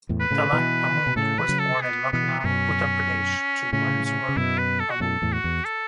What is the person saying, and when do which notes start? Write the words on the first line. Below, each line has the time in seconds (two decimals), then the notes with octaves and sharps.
Talat Mahmood was born in Lucknow, Uttar Pradesh, to Manzoor Mahmood.
0.09 E2 A2
0.20 B4
0.31 A2 C#3
0.52 B2 E3
1.06 B2
1.16 A2 C#3 A4
1.38 E3 B4
1.49 C#3 F#3
1.59 A4
1.81 B3
2.12 B2 E3 B3
2.39 B3
2.44 F#2 B2 C#4
3.72 A2 C#3 C#4
4.05 C#4
4.29 C#3
4.36 F#2 B2 E4
4.58 B4
4.80 A4
4.90 F#4
5.00 F#2 B2 A4
5.22 E2 A2
5.33 F#4
5.44 E2
5.65 A4